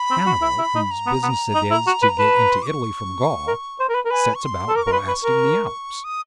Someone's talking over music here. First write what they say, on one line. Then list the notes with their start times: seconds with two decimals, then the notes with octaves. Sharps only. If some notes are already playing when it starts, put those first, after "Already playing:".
Hannibal, whose business it is to get into Italy from Gaul, sets about blasting the Alps.
Already playing: B5
0.10 C4
0.26 F#4
0.42 E4
0.58 E4
0.75 D#4
0.91 A#5
1.07 B3
1.23 B3
1.55 D#4
1.71 E4
1.87 F#4
2.02 B4
2.07 A#5
2.19 B4 A5
2.35 A#5
2.51 C6
2.62 D6
2.67 C#6
3.48 A#4
3.80 C5
3.89 A#4
3.95 B4
4.05 A#4
4.11 B4 G#5
4.35 C#6
4.44 C6
4.68 A4
4.76 A#4 D6
4.83 C#6
4.87 A#4
4.91 B4 C6
4.99 C#6
5.08 B4
5.24 A#4
6.04 D#6